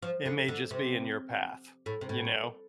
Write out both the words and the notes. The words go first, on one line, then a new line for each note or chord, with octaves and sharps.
it may just be in your path, you know?
F3
D3
D3
C3
A2
C3
A2